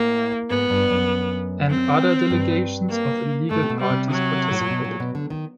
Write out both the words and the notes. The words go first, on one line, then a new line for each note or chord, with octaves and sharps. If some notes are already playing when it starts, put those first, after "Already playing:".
And other delegations of illegal parties participated.
Already playing: A2 A#3
G#2 B3
G2
F#2
C4
G2
A#3
G#2 A3
C3
B2
G3
C3
F#3
A2
A#2
B2
A#2
B2
D3
D#3